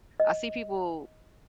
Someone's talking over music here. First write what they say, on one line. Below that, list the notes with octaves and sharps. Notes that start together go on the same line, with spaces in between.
I see people
D#5